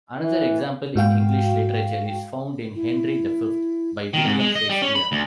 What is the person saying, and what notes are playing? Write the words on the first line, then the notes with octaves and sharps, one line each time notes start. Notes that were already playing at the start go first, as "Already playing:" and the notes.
Another example in English literature is found in "Henry the Fifth" by William Shakespeare.
E3
G#2 F#4 F5 G5
E4
D#3
G#2
G#3
D#5
G3
C#4
B5
D2